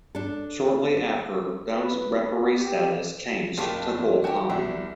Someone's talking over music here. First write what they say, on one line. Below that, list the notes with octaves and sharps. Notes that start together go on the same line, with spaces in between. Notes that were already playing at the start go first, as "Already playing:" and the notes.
Shortly after, Doan's referee status changed to full-time.
D4 A4
B4
F#4
G4
F#1 F4 G4 G#4 A#4 C#5 A5 B6
E3
D#4 F#4 G4 G#5 A5
C2 B3 C#4 F#4 D5 E5